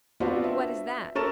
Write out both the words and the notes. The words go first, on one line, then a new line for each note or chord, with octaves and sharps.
"What is that?"
B3 C4 D4 F4 F#4 B4
E5
C#4 A4 A#4 C#6 A6 E7